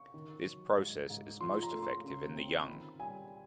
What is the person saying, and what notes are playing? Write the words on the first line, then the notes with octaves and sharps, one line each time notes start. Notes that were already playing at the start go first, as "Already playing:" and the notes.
This process is most effective in the young.
Already playing: C#6
D#3
F#3
G#2
G#2
F3 C6
A#5
A3
C6
C#3
C4
D#3 B5
G3 G#5